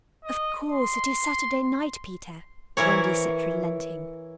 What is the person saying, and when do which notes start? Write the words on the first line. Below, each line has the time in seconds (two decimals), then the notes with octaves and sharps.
'Of course it is Saturday night, Peter,' Wendy said, relenting.
0.25 D#5
0.68 C6
2.77 E3 E4 A#4 C#5